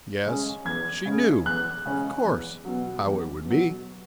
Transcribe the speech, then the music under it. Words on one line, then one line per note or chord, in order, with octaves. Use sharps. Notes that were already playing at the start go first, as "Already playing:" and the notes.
Yes, she knew, of course, how it would be!
C#3 G#3 C#4
E2 G#6
C#3 G#3 C#4
E2 F#6
C#3 G#3 C#4
E2
B2 F#3
E2
B2 F#3